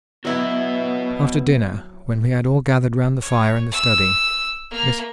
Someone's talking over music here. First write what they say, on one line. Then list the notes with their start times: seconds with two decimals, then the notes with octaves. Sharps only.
After dinner, when we had all gathered round the fire in the study--Mrs.
0.25 F#3 B3 E4 F#4 B4 D#5
3.22 C#5
3.72 E6
4.71 A#3